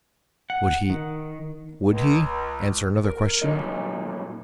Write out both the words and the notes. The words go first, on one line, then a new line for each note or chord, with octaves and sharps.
Would he--would he?--answer another question?...
F#5
D#3
C#2
A#4
F#2 A#2 F3 F#3 D#4 D#5